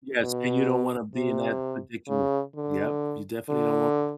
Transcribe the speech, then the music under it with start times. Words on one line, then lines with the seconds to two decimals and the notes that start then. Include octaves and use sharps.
Yes. And you don't wanna be in that predicament. Yep. You definitely don't want
0.22 B2
1.15 C3
2.08 C#3
2.56 D3
3.49 D3